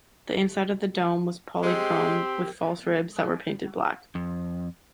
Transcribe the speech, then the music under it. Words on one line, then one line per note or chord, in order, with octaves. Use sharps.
The inside of the dome was polychrome, with false ribs that were painted black.
G#3 C4 G4
F2